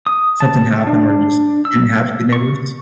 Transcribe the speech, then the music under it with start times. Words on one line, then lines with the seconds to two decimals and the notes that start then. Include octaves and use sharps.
something happen where you just didn't have good neighbors?
0.07 D#6
0.40 A5
0.87 D4
1.65 E6
2.33 C#6